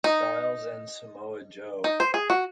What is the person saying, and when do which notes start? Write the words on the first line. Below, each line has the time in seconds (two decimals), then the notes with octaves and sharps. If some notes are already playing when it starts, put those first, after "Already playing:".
Styles and Samoa Joe.
0.04 D#4
1.84 D#4
2.00 C5
2.14 G#4
2.30 F#4